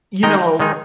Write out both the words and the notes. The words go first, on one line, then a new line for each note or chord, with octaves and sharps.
you know,
D#3 G#3 D#4 G5 A#5
D#3 G#3 D#4